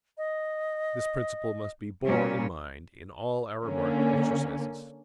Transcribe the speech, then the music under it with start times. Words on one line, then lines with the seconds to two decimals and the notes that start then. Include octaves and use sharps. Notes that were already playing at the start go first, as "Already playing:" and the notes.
This principle must be borne in mind in all our marked exercises.
0.18 D#5
2.03 A#2 G3 C#4
3.64 D3 A#3 C#4